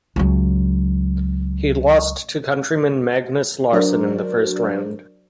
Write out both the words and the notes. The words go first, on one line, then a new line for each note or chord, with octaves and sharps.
He lost to countryman Magnus Larsson in the first round.
C#2 F#3
F#3 D4 F#4 A#4 C5 D5